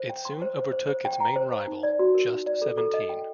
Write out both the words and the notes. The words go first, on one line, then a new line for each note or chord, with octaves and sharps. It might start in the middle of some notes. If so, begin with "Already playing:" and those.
It soon overtook its main rival, Just Seventeen.
Already playing: C5
G5
C6
C5
C5
C5
C5
G5
A#5
C5
C5
D#4
D5
F#4
A#4
D#4
D5
A4
A4
D#5
G5